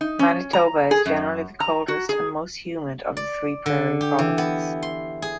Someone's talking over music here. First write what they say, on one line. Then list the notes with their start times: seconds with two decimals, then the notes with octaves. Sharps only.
Manitoba is generally the coldest and most humid of the three prairie provinces.
0.01 D#4
0.19 C#4
0.53 A#5
0.91 G#4
1.06 F#2
1.60 A#5
1.88 F#4
2.09 G#4
3.17 D5
3.66 D3
4.01 G4
4.19 E3
4.38 B3
4.83 C6
5.22 G#4